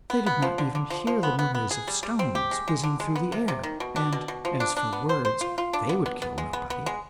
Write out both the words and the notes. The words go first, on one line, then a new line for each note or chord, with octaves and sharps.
They did not even hear the noise of stones whizzing through the air, and as for words, they would kill nobody.
B3
B3
F3
D3
D3
F3
F3
B3
B3
B3
G#4
G3
G3
C4
G4
G#3
G#3
D3
G#3
B3
C3
C3
D#3
B2
D4
B2
B2
F3
D4
D4
B3
C5
C5
F4
F4
D4
B3
B3
B3
G#3
B3
B3
G#3